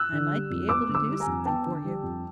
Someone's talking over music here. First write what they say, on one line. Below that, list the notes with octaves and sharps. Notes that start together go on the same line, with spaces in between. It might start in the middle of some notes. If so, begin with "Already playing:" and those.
'I might be able to do something for you.
Already playing: E6 F#6
D3
G3
F2
B3 D6 E6
D3
D6 E6
G3
G#5 A#5
F2
B3 G5 A5
D3
G3
F2